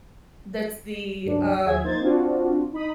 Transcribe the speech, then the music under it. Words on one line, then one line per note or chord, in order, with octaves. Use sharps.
that's the, um,
C#2 G2 F#3 D4
D#2 G#4 E5 G#6
A#3 D#4 C5 G#6 A6
C4 D4 F4 F#4
D#4 B5 D#6